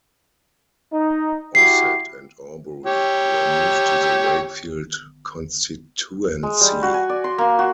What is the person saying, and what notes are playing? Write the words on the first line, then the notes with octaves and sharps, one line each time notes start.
Ossett and Horbury were moved to the Wakefield constituency.
D#4
E4 F#4 G4 C7
G4 C#5
G#3
G3
F#4
G#5
D5
C6
A#3
F#4